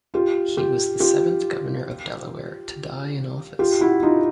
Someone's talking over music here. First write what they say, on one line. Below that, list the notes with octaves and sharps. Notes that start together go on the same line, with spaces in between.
He was the seventh Governor of Delaware to die in office.
F4 G4
F4 G4
F4 G4
F4 G4
E4 F#4
D#4 F4